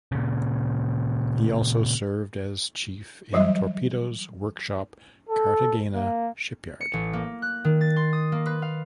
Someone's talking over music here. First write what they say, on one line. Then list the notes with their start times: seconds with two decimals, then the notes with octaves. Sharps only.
He also served as chief in Torpedoes Workshop Cartagena Shipyard.
0.12 A#2 C#3
3.33 E3 F#3 G3 E5
5.29 A4
5.95 A#3
6.81 C#7
6.93 A1
7.13 A#3
7.42 F#6
7.64 D#3
7.81 A6
7.96 C6
8.13 D#6
8.32 A#3
8.46 B4
8.62 F5